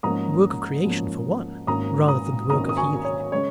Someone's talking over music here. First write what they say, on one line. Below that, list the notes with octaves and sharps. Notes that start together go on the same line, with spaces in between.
The work of creation for one, rather than the work of healing.
G#2 F3 A#3 C#4 A#5 D#6
G#2 F3 A#3 C#4
G#1 G#2 D#3 A#3 C#4 A#5 D#6
A#5 D#6
G#1 G#2 D#3 A#3 C#4 A#5 D#6
D#6
G#5 C#6
C#5
C#3 G#3 C#4 C#5